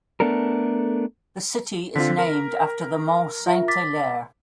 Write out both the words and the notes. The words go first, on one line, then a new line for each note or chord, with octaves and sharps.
The city is named after the Mont Saint-Hilaire.
A3 B3 D4 A4 A#4
D3 C4 F4 B6
A#4
F4 E5
D6 A6 B6